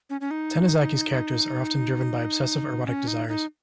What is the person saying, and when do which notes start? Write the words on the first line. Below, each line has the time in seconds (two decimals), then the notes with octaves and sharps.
Tanizaki's characters are often driven by obsessive erotic desires.
0.10 C#4
0.21 C#4
0.31 D#4
2.86 C#4
3.08 D#4
3.28 D#4